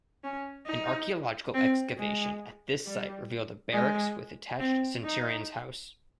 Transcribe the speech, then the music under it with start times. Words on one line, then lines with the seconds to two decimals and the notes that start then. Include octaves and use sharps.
An archaeological excavation at this site revealed a barracks with attached centurion's house.
0.24 C#4
0.66 D#4
1.54 C4
1.97 G#3
2.85 G3
3.72 G#3
4.60 C4
5.04 D#4